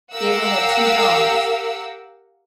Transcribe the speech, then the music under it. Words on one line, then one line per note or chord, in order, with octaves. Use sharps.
Gabriel had two dogs.
G4 A#4 F5 F#5 E6